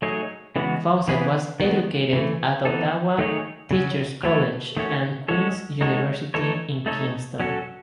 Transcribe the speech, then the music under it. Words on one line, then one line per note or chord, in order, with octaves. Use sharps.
Fawcett was educated at Ottawa Teachers' College and Queen's University in Kingston.
F#3 A3 D#4 G#4 C#5
C#3 E3 G#3 B3 F#4
E3 B3 E4 G#4 B4
D#3 F#3 B3
C#3 E3 A3
E3 B3 D#4 A4
D#3 A3 D#4 G#4 C#5
C#3 F#3 C#4
F#3 A3 E4 A4 C#5
D#3 A3 C#4 F#4 C#5
G#3 C#4 F#4 A4 C#5
G#3 D#4 F#4 A4 C#5
E3 A3 D#4 A4 C#5
A3 D#4 A4 C#5
F#3 C#4 F#4 A4